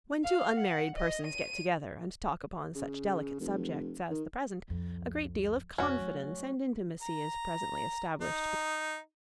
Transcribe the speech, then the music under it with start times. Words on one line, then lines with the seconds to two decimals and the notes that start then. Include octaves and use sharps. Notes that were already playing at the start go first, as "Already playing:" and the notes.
When two unmarried persons get together, and talk upon such delicate subjects as the present, a great deal of confidence and intimacy is presently established between them.
0.24 F5
0.57 F#5
0.97 D#5
1.27 D#7
2.75 C#3
3.40 F1
4.10 D#3
4.68 C2 F2
5.78 F2 C3 C#4 F#4
5.98 F#3 A3
7.02 A#5
8.21 D#4